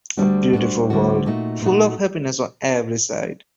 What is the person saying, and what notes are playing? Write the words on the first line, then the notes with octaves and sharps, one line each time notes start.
A beautiful world, full of happiness on every side.
D2 D3 G3 D4 F#4
D2 D3 G3 D4 F#4
D2 D3 G3 D4 F#4
A#2 A3 D#4 F#4
A#2 A3 D#4 F#4